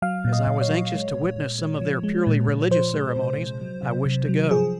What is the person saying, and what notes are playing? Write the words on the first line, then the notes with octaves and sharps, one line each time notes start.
As I was anxious to witness some of their purely religious ceremonies, I wished to go.
F#3 F5
A#2
D#5
A#2
C#5
F#3
G#3
A#2
A#2
G#3
F3
G#3
A#2
A#2
F3 C5
G#3
C3
C3
F#3
C3
C3
F#3
F3 G#4